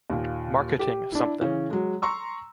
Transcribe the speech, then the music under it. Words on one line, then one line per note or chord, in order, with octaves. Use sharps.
Marketing something.
D#2 A#2
G4
D4 E4
C#3 E3 C#4
F#3 G#3
A#5 C6 C#6 E6